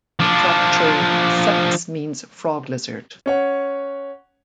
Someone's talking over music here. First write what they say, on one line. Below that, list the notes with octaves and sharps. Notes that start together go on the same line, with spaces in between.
Batracho-seps means frog-lizard.
F3 D4
C#4 C#5 F#5